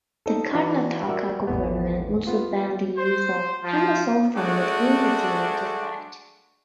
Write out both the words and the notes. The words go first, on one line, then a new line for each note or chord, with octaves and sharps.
The Karnataka government also banned the use of endosulfan with immediate effect.
D#4 A4
E3 D4 E4 F#4
F#4 A#4 D5 E5 F#5
A1 E2 B3
B3 F4
C5
F3
G#3 A3 D4 F#4